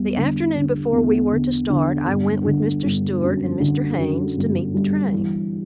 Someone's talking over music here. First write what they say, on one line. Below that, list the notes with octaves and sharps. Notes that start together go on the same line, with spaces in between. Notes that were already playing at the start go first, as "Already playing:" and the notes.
The afternoon before we were to start I went with Mr. Stewart and Mr. Haynes to meet the train.
Already playing: E2 G3 B3
D3
D3
E2
D3
D3
G1
D3
G1
F#2
D3
F#2
G1
G3
E3